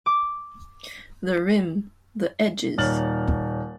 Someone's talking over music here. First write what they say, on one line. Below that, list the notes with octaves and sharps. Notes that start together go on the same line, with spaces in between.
The rim, the edges.
D6
D#1 D#4 C#5 F6 A6 F#7